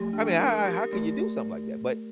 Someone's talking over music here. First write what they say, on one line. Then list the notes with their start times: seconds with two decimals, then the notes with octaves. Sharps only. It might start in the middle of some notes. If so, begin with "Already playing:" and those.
I mean, how how how can you do something like that? But
Already playing: F3 A3 G4
0.13 D4
0.40 A#4
0.66 G4
0.93 A3